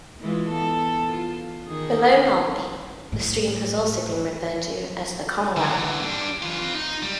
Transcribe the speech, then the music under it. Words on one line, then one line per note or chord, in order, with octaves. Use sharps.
Below Maltby, the stream has also been referred to as the 'Comwell'.
E3 G#3 F4
B3 A4
F4
D#3 D#4 G#4
A2
D3 E3
G3 D4
E3 F4
C4 F4
D#4
G3